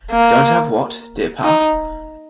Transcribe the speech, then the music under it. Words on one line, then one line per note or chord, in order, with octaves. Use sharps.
Don't have what, dear Pa?
A#3
D#4